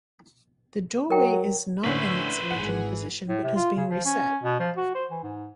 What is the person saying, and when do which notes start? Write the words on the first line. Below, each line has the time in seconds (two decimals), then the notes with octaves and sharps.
The doorway is not in its original position but has been re-set.
1.10 F#3 A#4 G5
1.84 A2 D3 C#4 B4 C5 E5
2.50 G#1 E3 G#4 F#5
3.28 A2
3.43 C3
3.56 F4
3.77 C#3
3.89 F3
4.05 C#4
4.43 B2
4.59 F3
4.76 F#4
4.95 C5
5.11 E3
5.23 G#2